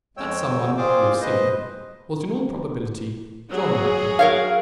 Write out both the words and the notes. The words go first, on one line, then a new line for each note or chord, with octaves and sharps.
That some one, we have seen, was, in all probability, John Blackmore.
F2 G#3 C#5 G5 E6
A#2 C4 F4 G#4 C5 D6
B4 C5 D#5
F#3 F#4 G#4
A#4 C#5 F5